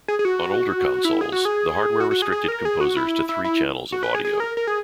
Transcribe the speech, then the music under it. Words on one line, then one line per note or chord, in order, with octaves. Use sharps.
On older consoles, the hardware restricted composers to three channels of audio.
G#4
G#4
F#4
E4
G#4
F#4
G#4
F#4
F#4
G#4
G#4
A#4
G#4
F#4
E4
E4
E4
F#4
B4
G#4
G#4
A#4
A#4
G#4